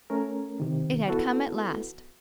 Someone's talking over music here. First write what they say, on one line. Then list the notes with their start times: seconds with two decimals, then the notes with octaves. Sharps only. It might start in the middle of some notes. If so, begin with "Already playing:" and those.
It had come at last.
0.10 A3 C#4 A#4
0.60 C3 D#3
1.07 B3 E4 F#4 A4 B4